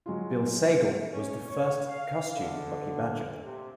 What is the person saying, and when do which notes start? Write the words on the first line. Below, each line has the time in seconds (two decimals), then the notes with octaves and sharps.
Bill Sagal was the first costumed Bucky Badger.
0.06 F#3 G#3 F4
1.12 C#4
1.47 C#5
1.89 F5
2.36 D3
3.44 C3